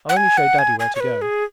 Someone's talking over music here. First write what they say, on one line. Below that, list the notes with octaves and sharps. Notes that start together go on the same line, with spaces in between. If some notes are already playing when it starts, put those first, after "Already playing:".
I'll only show Daddy where to go.'
F#5
G#5
F#5
G#5
G#5
C#5
B4
G#4